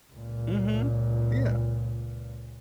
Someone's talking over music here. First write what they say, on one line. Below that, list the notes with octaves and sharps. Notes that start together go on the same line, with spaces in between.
Mhm, yeah.
C#2 A#2